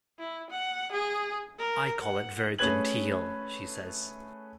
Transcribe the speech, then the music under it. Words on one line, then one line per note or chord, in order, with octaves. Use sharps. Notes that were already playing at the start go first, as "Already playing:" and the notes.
"I call it very genteel," she says.
E4
F#5
G#4
A#4
F#5
A3 C#4 G#4 B4 G#6 F#7